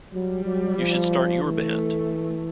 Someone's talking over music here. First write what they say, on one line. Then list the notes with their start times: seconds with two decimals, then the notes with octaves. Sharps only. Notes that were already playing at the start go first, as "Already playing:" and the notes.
You should start your band.
0.13 F#3 G3
0.46 F#3
0.78 F3
1.42 E3 A3